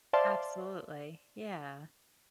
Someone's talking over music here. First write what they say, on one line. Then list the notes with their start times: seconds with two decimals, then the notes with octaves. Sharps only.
Absolutely, yeah.
0.13 C5 D5 E5 F5 A5 C6